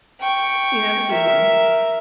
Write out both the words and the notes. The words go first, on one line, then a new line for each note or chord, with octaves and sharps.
You have a good one.
G5 C#6
A#4 E5